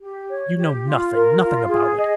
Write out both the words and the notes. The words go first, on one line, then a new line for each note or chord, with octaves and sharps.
You know nothing, nothing about it....
G4
C#5
G4
F4
A#4
F4
G#4
D#5